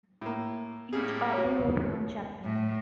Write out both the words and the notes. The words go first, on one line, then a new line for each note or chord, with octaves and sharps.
Each author wrote one chapter.
A2 A#3
A2 G3 A#3 G#4
F#4 C#5
A2